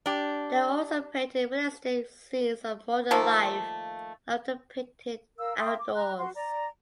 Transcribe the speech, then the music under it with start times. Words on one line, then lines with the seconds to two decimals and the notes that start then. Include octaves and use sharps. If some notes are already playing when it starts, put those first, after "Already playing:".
They also painted realistic scenes of modern life, and often painted outdoors.
0.06 D4 G4
3.11 D#3 F3 A3 A#3
5.38 A#4 F5 E6
5.59 E5 G5 C6 D#6
5.78 D6
5.94 A#5 F#6
6.17 F#4 C6
6.34 D5 A#5